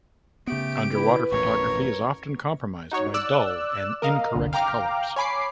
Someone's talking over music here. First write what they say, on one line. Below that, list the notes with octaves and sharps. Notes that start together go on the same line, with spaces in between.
Underwater photography is often compromised by dull and incorrect colours.
C#3 A3 B3 G4 D7
E4 B4
A1 F2 B2 A#4 C#5 C#6
D#4 F#4 C#5
D5 E6 F#6
A#4 D#5 F5
G1 C2 D3
F5 G5 A#5 D6 F6
C#5 G#5 B5 D6 C7